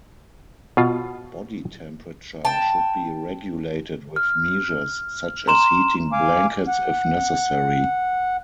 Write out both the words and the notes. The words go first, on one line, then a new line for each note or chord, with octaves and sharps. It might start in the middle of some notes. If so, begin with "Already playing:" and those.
Body temperature should be regulated with measures such as heating blankets if necessary.
B2 F4
G5 A5
F6
A#5 C6 E7
F5 G#5 D6
F#5